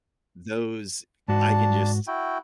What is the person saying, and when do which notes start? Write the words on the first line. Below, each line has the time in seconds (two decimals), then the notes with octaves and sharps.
Those, I can just
1.28 G#2 D4 F#4 A5
2.07 E4 F#4 G5